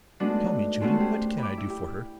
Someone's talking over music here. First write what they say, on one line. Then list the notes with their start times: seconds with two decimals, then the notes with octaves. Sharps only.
"Tell me, Judy, what CAN I do for her?"
0.20 G#3 A3 B3 D4 D#4 F#4
0.81 G#3 A3 B3 C#4 F#4
0.97 G4 G#4 C5
1.38 B5 D6
1.57 E4
1.70 G4